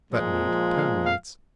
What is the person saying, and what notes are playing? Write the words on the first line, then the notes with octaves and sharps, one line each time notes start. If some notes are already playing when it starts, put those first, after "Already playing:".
That made ten minutes.
A#2 F3 G#3
F5
F5